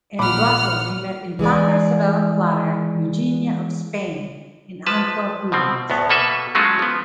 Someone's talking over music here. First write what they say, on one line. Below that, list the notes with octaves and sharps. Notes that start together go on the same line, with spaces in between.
In Brussels he met Infanta Isabella Clara Eugenia of Spain; in Antwerp, Rubens.
A#1 F#5 B5 D6 F6
E3 G#3 G#4 D5
F3 B4 A5
B2 F3 C4
D2 A2 B3
B2 A#3 A4 B4 E5
F#3 G#3 A3 C#4 F4 F#4
F3 B3